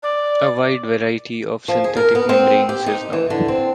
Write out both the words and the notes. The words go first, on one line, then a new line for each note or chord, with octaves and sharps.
A wide variety of synthetic membranes is known.
D5
F3
G#4
A#4
B3
C4
G4
D#4
E3
D3
C4